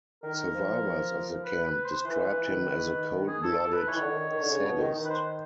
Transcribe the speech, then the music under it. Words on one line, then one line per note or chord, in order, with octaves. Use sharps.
Survivors of the camp described him as a cold-blooded sadist.
D#3 A#4
F3
B4
B4
C5
E3 B4
E3
E3
D#3
G#4
A4
A4
B4
E3 C#5
D#3
D3
D#3
D#3
D3
C#3
B2
D#3
D#3
B4
C5